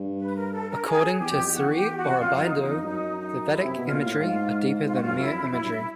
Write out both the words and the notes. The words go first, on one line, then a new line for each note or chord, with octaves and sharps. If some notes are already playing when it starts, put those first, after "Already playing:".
According to Sri Aurobindo, the vedic imagery are deeper than mere imagery.
Already playing: G2
B4
A#4
A4
A#4
G#4
E2 G4
F#2
F2
G4
E2 F#4
G4
F#4
F2 F4
F2
F#2
D#4
E2
D#4
F2
G2
F#2 D#4
D#4
E4
C3
B2
F4
A#2
A2
G#2 F4
G#2 F4
F#4
F#2 G2 F4
E4
F2
F#2 E4
G2